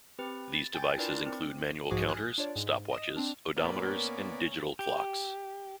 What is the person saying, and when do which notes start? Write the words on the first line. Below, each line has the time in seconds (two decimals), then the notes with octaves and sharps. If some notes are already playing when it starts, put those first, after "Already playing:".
These devices include manual counters, stopwatches, odometers, and digital clocks.
0.19 C4 G4 B4
0.54 A6
0.74 G5 G#5 G6 A6
0.98 D4 E4 F4 A#4 B4 D5
1.26 C4
1.91 B1 G#2 F3 F#4 G#4 D6
2.08 G#5 D#6 F6 F#6 G#6
2.38 D4 F4 C#5 D5
2.56 G#2
2.91 D#5 D#6 E7
3.17 C4 D4
3.57 A#2 A#3 B3 C#4 B4 D5
4.79 G4